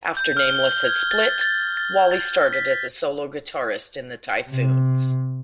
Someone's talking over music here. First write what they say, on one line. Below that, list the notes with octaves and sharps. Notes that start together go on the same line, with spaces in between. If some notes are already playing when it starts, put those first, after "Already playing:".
After Nameless had split, Walli started as a solo guitarist in The Typhoons.
G6
F6
G7
G#6
A6
A6
A6
A6
B6
C3